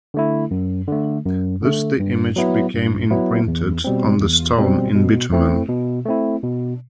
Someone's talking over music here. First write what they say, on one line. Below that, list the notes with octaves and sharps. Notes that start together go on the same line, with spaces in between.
Thus the image became imprinted on the stone in bitumen.
D3 A3 E4
F#2
D3 A3
F#2
D3 A3
G2
F#3 B3 E4
G2
F#3 B3 E4
E2
B2 G3 C4
E2
B2 G3 C4
B2
A3 C4 E4
B2
A3 C4 E4
B2